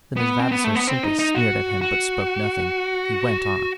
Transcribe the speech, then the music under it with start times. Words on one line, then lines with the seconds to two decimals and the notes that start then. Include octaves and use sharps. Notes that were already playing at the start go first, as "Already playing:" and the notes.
Then, as Vavasor simply sneered at him, but spoke nothing, he went on.
0.16 B3
0.39 C4
0.51 B3
0.64 A3
0.75 B3
0.87 C4
1.03 D#4
1.19 D#4
1.35 F#4
1.81 F#4